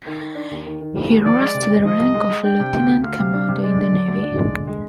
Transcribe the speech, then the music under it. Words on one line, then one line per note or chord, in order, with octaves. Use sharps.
He rose to the rank of lieutenant commander in the Navy.
D#3
D#3
D4
D#2
D#3
D#3
G3
D#2
F3 D5
G#3
C3
C3
F3 D#5
C2
G#3
G#3
D4 G5
C3
D2
D2
D2 F5
C3
D4
C3
G#3 D5
D3
D4
D2
D4
G#3
D3
G#3